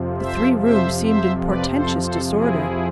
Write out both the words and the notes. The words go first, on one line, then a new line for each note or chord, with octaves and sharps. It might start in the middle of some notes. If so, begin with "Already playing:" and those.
The three rooms seemed in portentous disorder.
Already playing: F2 C3 F3
C5 E5
C5 E5
C5 E5
B4 D5
A4 C5
A4 C5
E4 G#4